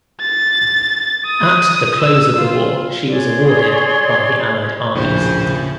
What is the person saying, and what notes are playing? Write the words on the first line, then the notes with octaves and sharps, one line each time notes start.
At the close of the war she was awarded by the allied armies.
A6
D#6
E6
F4
G#4 C#5 D5 C6
A#1 D#2 A2 C#3 C5